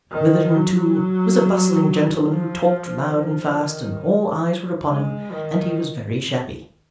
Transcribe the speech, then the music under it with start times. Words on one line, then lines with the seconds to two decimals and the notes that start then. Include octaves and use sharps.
Mr Witherden too was a bustling gentleman who talked loud and fast, and all eyes were upon him, and he was very shabby.
0.12 D#3
0.55 F#3
2.29 F3
3.16 F3
3.59 D#3
4.88 G#3
5.32 D#3